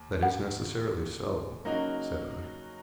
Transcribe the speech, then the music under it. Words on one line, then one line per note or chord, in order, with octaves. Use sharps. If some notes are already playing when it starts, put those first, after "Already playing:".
'That is necessarily so,' said I.
Already playing: D#2
F#5
C#3 F#3 A#3 D#4 F#4